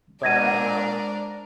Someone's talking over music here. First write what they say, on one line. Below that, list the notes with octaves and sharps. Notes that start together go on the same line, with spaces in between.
But, um
G#3 D4 A#4 C5 D5 G#6 A#6 D#7